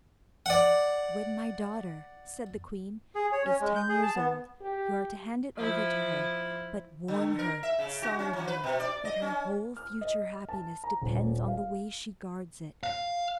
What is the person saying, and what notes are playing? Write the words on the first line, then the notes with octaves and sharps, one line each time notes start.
'When my daughter,' said the queen, 'is ten years old, you are to hand it over to her, but warn her solemnly that her whole future happiness depends on the way she guards it.
D5 F#5
G#4
C#5
C#4
G#3
G6
G#4
A5
B3
G4
F3 E4
D3
A#4
E5
C#3
F#4
C#4
F3
B4
B2
D5
D#5
C#4
F6
D#5
A5
A#5
D#1
F5
F5